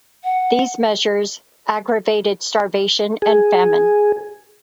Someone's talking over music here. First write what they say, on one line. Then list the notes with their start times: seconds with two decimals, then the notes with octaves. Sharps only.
These measures aggravated starvation and famine.
0.24 F#5
3.22 G#4